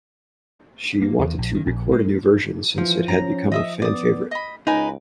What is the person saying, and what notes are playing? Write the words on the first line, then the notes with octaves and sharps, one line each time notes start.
She wanted to record a new version since it had become a fan favorite.
A#3
E2
A#1
D#3
A#1
G#3
E3 F3
C#4 A#5
D#5 E5 D#6
B3 D5 D#6
D#5 B5
C#2 D#4 A#4 B4 G#5